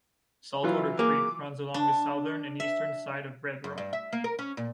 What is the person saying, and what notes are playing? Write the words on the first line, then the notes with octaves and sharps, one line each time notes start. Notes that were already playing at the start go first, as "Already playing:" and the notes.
Saltwater Creek runs along the southern and eastern side of Redruth.
E3 F#3 E4 F4
A#3 G#4 D6
D4
E5
F#2
G2
E5
A#3
A#4
C#4
A#2